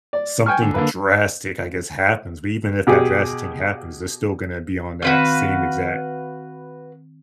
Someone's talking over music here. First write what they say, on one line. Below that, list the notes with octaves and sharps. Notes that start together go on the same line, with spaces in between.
something drastic, I guess, happens, but even if that drastic thing happens, they're still gonna to be on that same exact,
D5
G5 G#5 C#6 F6
D3
D3 A#3 B4
B2 G4 G#4
D#3 C4 F#4 B4 F5